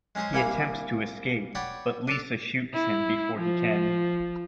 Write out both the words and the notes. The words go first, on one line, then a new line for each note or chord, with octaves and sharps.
He attempts to escape, but Lisa shoots him before he can.
G#3 C#4 D#4 G#4 C5
C2 A#3 E4 G#4 G#5 B5
C#5 D5 F#5 G5 B5
D4 A4
E4
F3